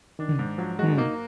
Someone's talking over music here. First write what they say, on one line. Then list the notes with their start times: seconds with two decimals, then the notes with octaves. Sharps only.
Mm. Hmm.
0.19 D#3 D4
0.39 G#2
0.58 F3 F#3
0.79 G#3 F#4
0.98 A#3 D#4